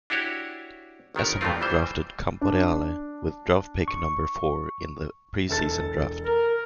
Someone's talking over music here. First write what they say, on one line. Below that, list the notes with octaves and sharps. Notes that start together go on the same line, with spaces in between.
Essendon drafted Camporeale with draft pick number four in the pre-season draft.
D4 E4 F#4 G4 C#5
G1 D#3 B3 A#4
G2 A#2 G#3 A3 C4 F4
E3 G3 C5
D4
C#6
E1 A4 A6
A#4